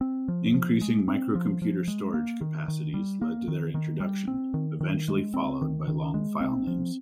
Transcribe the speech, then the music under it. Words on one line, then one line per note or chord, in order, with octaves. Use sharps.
Increasing microcomputer storage capacities led to their introduction, eventually followed by long filenames.
C4
F3
F3
G#3
C4
F3
F3
G#3
A#3
D#3
D#3
G3
A#3
D#3
D#3
G3
C4
D#3
D#3
G#3
C4
D#3
D#3
G#3
C4
F3